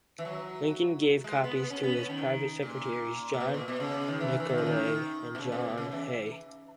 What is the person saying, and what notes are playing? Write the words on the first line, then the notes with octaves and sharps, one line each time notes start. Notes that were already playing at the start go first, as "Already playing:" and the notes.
Lincoln gave copies to his private secretaries, John Nicolay and John Hay.
E3
F#3
G#3
B3
B3
C#4
B3
C#4
D#3
A#2
A#2
B2
A#2
B2
C#3
D#3
E3
E3
D#3
C#3
D#3
B2
C#3
B2
B2
C#3
E3